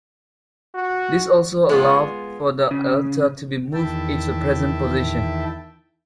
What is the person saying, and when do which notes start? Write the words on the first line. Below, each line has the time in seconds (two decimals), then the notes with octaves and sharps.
This also allowed for the altar to be moved to its present position.
0.75 F#4
1.69 G#3 B3 F4
2.71 C#3
3.74 E2 D#3 E4 E5 G5 A5